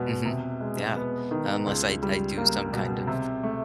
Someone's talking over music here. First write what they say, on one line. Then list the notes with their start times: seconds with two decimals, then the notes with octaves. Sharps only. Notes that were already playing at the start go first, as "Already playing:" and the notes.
Mhm. Yeah. Unless I I do some kind of
Already playing: E2 B2 G#3 B3
0.25 C3
0.61 G#3
0.96 B3
1.31 D#3
1.67 C#2
2.03 G3
2.37 A#3
2.73 B2
3.07 C3
3.43 A3